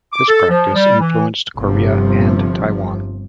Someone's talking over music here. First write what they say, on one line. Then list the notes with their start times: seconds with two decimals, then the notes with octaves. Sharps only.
This practice influenced Korea and Taiwan.
0.13 D6
0.29 A4
0.50 F3
0.75 G3
1.01 E3
1.56 G1 C3 F3